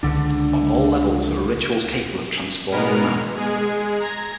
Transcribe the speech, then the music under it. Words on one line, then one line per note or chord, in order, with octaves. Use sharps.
On all levels there are rituals capable of transforming man.
C#2 D3 D4
B2 G#3 B3 A#4 F6
G#3 G#4
A#5 G#6 A#6